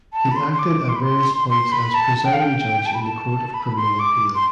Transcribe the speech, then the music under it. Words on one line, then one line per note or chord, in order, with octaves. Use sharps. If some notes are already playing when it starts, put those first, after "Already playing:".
He acted at various points as presiding judge in the Court of Criminal Appeal.
A5
B5
C6
C6
D6
D6
C6
B5
C6
C6
B5
A5
A5
G5
F5
G5
A5
B5
A5
B5
C6
D6
C6